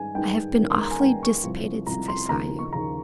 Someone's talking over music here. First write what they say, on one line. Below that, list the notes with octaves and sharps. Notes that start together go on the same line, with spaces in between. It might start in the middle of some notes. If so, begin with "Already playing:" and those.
'I have been awfully dissipated since I saw you.'
Already playing: G2 D#3 G#3 D#4 G#5
G2 D#3 G#3 D#4 G5
G2 D#3 A#3 C#4
C6
A#5
G#5
G2 D#3 A#3 C#4 G5
C#6
C2 C3 F3
C2 C3 F3 A#5
C6
D#2 C#3 F3 A#5
C#6
D#2 C#3 F3 A#5